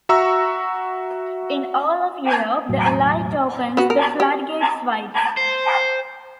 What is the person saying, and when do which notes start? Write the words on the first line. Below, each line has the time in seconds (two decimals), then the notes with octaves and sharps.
In all of Europe the elite opens the floodgates wide.
0.09 F#4 E5 A#5 C#6 E6
2.68 E1 A2 F#3
3.77 B3 F#4
3.90 A#4
4.20 G4
5.37 C5